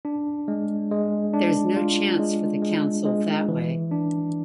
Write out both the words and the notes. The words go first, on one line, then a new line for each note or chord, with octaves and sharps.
There’s no chance for the Council that way.
D4
G#3
G#3
D4
F4
G#3
G#3
G#3
E3
D4